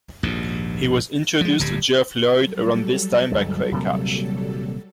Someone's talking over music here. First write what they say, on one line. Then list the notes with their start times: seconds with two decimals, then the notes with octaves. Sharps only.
He was introduced to Geoff Lloyd around this time by Craig Cash.
0.23 A#1 D#2 G#2
1.41 F3 G#3
1.59 D1 G1 G2 G3
2.36 F#3 G3 A4
3.32 G1 D2 G#3
3.71 D#1 C3 A#3